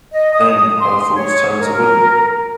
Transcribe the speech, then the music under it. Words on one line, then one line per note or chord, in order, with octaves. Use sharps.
Then her thoughts turned to William.
D#5
D#6
C6
C#5
A#4